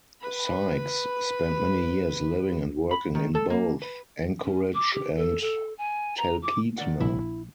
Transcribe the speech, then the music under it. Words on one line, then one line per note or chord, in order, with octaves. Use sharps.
Sykes spent many years living and working in both Anchorage and Talkeetna.
B4 B5
B5
D#3
A4
A#3
B4
C#4
D6
G4
A4
A4
G#5
A#5
D6
D#3 D5 F#5
A#1 E4